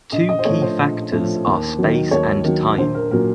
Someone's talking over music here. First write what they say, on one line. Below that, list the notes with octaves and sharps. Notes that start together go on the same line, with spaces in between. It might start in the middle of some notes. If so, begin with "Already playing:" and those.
Two key factors are space and time.
A#1 D#5
D#5
C5
A2 F3 C#5
C5
A#1
A2 F3
D#2
D#3 F#3
D#2 C#5
D#3 F#3
A#1 C5
A#4
A#2 F#3 A#4